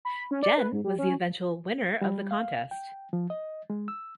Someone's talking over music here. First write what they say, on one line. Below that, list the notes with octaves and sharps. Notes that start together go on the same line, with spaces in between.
Jen was the eventual winner of thecontest.
B5
C#4
D5
B4
G#2
G3
C#4
G3
F5
G5
F3
D#5
G#3
E6